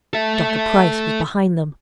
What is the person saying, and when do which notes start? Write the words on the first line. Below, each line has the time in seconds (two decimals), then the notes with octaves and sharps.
Dr. Price was behind them.
0.13 A4 E5